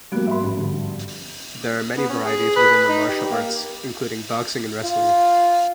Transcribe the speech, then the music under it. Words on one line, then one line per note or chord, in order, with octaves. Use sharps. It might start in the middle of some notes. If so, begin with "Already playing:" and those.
There are many varieties within the martial arts, including boxing and wrestling.
F3 G3 A#3 B3 F#4
G#2 E5 B5 C6
A1
G2 D3
B3
C#4
G#4
B4
D#4
G4
A#3
F4